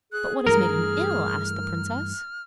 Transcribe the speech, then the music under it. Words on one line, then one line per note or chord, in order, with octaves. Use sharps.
'But what has made him ill?' asked the princess.
G#4 F#6
G2 E3 A3 A#4 F6